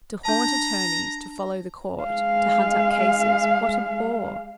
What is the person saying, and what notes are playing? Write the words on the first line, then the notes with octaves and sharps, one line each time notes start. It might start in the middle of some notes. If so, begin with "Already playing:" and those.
To haunt attorneys, to follow the court, to hunt up cases--what a bore!
D4 A5 A#5
G#3 F5